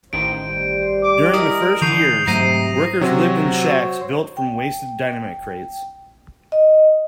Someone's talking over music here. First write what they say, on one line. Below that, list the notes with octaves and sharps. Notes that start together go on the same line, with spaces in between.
During the first years, workers lived in shacks built from wasted dynamite crates.
A1 D#3 C5 D7
G3
D6
E4 A#4 D5 D#5 D#6
D3 E3 C#6 G6 C7 D#7 F7
G#2 C3 F#3 A3 A#5 A#6 C7 D#7
C3 F#3 F#4 C5 C#5
G5
D#5